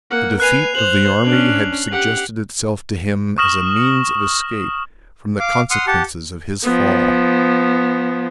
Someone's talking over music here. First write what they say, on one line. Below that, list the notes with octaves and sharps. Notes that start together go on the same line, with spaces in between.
A defeat of the army had suggested itself to him as a means of escape from the consequences of his fall.
A#3 F#5
B4 G#5 F#6 C7 F7
C5 F7 F#7
C#4 D4
G4 F#5
C#6 D#6 F6 A#6 E7 F#7
F5 D6
F#5 C6 D#6 F6
G4 F#5 A5
F3 B3